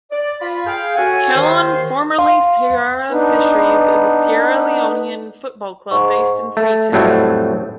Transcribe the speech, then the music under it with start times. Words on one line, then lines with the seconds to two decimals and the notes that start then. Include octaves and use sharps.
Kallon, formerly Sierra Fisheries, is a Sierra Leonean football club based in Freetown.
0.12 D5
0.41 F4 B5
0.67 G#4 F5 G5
0.97 C#4 F#4 A4 F#5 G#5
1.34 D#2 D#3 C5
2.19 F5 C6
3.11 B3 D4 D#4 B4
5.91 G#2 C#6
6.57 A3
6.92 F2 A2 F#3 G3 A3 C4